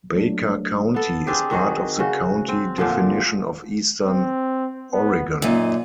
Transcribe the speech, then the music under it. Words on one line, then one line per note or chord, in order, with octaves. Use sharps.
Baker County is part of the county definition of Eastern Oregon.
F#3 A3 D4
B3 A4
C4 D4 G4 G#4
D#3 F#4 G#4
C#3 F#4
C4
A#2 D3 F3
C4
B3
F#2 A#2 D#4